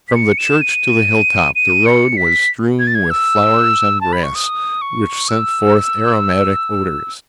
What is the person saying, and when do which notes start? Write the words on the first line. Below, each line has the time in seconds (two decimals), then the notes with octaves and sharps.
From the church to the hill-top the road was strewn with flowers and grass, which sent forth aromatic odors.
0.08 B6
0.15 C#7
0.38 E7
0.61 D#7
1.55 D#7
1.86 C#7
2.17 B6
2.79 G#6
2.87 A6
2.95 G#6
3.10 E6
4.01 A5
4.13 B5
4.23 C#6
4.35 D#6
4.82 C#6
5.29 E6